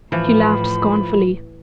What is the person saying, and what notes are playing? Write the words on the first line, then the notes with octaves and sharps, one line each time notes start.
She laughed scornfully.
A2 E3 F3 B5